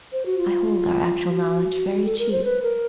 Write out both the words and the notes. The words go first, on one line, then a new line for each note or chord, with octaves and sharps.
I hold our actual knowledge very cheap.
C5
F#4
F4
F#4
A4
A#4
C5
B4
A#4